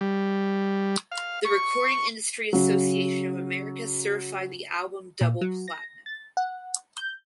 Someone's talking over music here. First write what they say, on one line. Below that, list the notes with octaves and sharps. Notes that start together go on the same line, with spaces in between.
The Recording Industry Association of America certified the album double platinum.
G3
F5
C#6
C#3 F#3
A#2
F#3
A#6
A6
F#5
G6